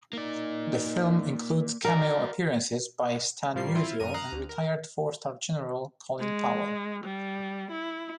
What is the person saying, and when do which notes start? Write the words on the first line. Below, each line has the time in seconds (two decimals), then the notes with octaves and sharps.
The film includes cameo appearances by Stan Musial and retired four-star general, Colin Powell.
0.13 A#3 D#4 D5
1.85 D#3 F#4 A#4 D5
3.55 A2 F3 G3 A#3 C7
3.75 C4 E4 F4
4.00 F#2 A#4 D#7
4.14 F5 A#5 D#6 F#6
4.32 D2
4.49 A#4
6.20 G#3
7.04 G3
7.71 E4